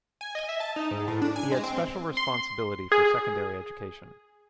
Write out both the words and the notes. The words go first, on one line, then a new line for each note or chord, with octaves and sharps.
He had special responsibility for secondary education.
G#5
D#5
E5
A5
D#4
G#2
A2
D4
G#5
G#3
C4
C6
G#4